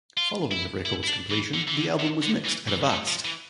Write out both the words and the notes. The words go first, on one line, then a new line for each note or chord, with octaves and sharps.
Following the record's completion, the album was mixed at Avast!
F4
E4
E4
E4
D4
E3
D3
E3
D3
C3
D3
E3
E3
A3
F3
E3